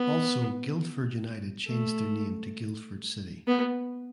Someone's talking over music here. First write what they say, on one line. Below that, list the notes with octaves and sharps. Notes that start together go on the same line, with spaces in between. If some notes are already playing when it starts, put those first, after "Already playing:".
Also Guildford United changed their name to Guildford City.
Already playing: B3
A3
B3